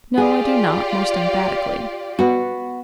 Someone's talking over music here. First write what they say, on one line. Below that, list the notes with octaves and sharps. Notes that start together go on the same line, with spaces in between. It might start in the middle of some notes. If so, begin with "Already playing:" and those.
No, I do not, most emphatically.
F4 G4 G#4 D5
B3 F#4